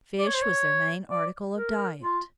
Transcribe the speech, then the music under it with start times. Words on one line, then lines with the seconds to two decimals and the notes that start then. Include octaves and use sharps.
Fish was their main article of diet.
0.19 D5
0.27 C#5
0.34 C5
0.42 C#5
1.10 D5
1.57 A#4
2.03 F4